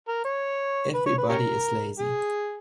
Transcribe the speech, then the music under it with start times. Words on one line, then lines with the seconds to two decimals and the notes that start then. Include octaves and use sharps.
Everybody is lazy!
0.08 A#4
0.25 C#5
0.94 B4
1.06 C#5
1.18 B4
1.29 C#4 G4 A#4
1.99 G#4